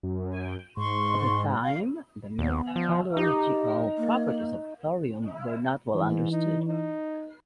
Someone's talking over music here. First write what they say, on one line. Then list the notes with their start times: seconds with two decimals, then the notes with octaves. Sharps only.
At the time the metallurgical properties of thorium were not well understood.
0.03 F#2
0.77 G#2 C6 C#6
1.64 F5
2.39 D#2 B3
2.76 F3
3.17 D#4 G4
3.98 A#3
5.95 G#2 E3
6.31 D#4
6.68 D#4